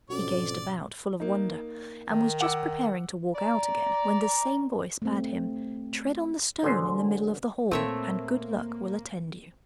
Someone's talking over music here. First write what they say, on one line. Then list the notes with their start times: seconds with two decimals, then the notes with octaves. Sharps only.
He gazed about, full of wonder, and was just preparing to walk out again when the same voice bade him: 'Tread on the stone in the middle of the hall, and good luck will attend you.'
0.10 B1 F2 G#2 C#4 F#4 D5
1.20 A#3 D#4
2.09 D#3
2.41 F#5 D6 E6
3.34 D5 A#5
5.02 A3 C4
6.63 A1 D3 F#3 G#4 C5
7.71 A#2 A3 A#3 C4 C#5 E5